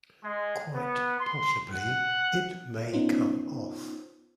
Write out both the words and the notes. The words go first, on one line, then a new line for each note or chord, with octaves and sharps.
Quite possibly it may come off.
G#3
B3
C6
F#5
B3 C#4 D#4 F4 C5